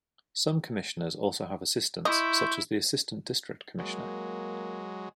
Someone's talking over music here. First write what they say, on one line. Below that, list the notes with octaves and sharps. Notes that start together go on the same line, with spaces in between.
Some commissioners also have assistants, such as the Assistant District Commissioner.
E4 D#5 C6 C#6 G6
F#3 G#3 A#3